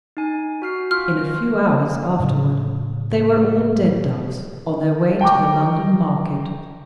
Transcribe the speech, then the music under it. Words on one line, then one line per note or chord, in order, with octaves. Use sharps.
In a few hours afterward they were all dead ducks on their way to the London market.
D#4 G#5
F#4 F6 C7
F4 F6
A2 C#3 G#3
G5 A#5 C#6 D6